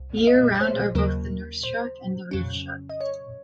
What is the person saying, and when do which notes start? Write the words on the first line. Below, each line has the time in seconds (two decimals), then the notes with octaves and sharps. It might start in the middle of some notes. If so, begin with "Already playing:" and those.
Year-round are both the nurse shark and reef shark.
Already playing: C2
0.17 F5
0.27 D#5
0.54 C#5
0.61 C5
0.95 D#2 C#3 F#3 A#3 A#4
1.63 C5
2.31 F2 C#3 F#3 C#4
2.89 D#5
3.01 C#5